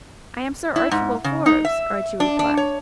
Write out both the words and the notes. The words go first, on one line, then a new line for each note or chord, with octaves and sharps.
"I am Sir Archibald Forbes," Archie replied.
E4
G#2
C#3
D#4
E5
D4
D4
C#5